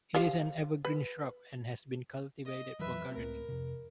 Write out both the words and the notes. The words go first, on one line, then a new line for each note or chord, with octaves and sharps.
It is an evergreen shrub, and has been cultivated for gardening.
F3 G4 F5
B4
D#5
F2 E3 F#3 B4 E5
C#2 A3 C4 A#4
F2 C3